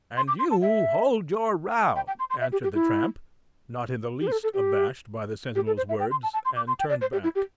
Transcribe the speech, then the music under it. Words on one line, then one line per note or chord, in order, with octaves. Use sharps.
"And you hold your row," answered the tramp, not in the least abashed by the sentinel's words, and turned back.
C6
D6
C6
A5
E5
G5
G5
C6
C6
E5
G4
G4
E4
G4
C5
A4
A4
G4
G4
A4
C5
E5
G5
C6
A5
A5
C6
D6
C6
G5
D5
C5
G4
E4
G4